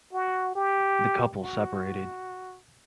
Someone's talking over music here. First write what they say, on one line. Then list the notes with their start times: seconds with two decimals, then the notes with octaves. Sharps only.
The couple separated.
0.13 F#4
0.56 G4
1.42 F#4